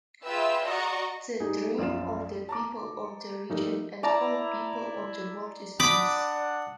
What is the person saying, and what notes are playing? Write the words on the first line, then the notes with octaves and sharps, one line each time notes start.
The dream of the people of the region and all people of the world is peace.
F4 G#4 B4 E5 G5 E6
F#4 D5 D#5 A#5 C#6
G3 D#4 G4 G#4
A#1 F#2 F4 E7
A5 A#5 D6
F3 G3 A3 A#3 D#4
E4 D5 A5 A#5
D4 F#5 B5 D6 D#6